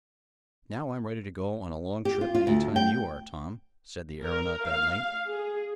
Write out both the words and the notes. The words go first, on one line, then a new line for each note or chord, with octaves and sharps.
"Now I'm ready to go on a long trip any time you are, Tom," said the aeronaut that night.
G4
F4
F4
D2
G5
A#4
F5
G#4